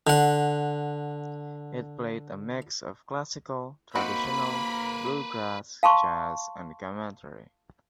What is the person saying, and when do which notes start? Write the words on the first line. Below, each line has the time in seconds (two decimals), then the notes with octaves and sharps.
It played a mix of classical, traditional bluegrass, jazz, and commentary.
0.07 D3 F#5
3.95 D#3 A#3 C4 F#4 A#4 B4 B5
5.83 F5 A5 C6 C#6